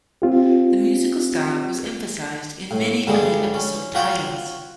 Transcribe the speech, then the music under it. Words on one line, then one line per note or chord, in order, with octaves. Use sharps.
The musical style was emphasized in many of the episode titles.
C4 F4 G4
A2
G2 D3 G3 G#3
C#4
F4 F#4 C#5 G5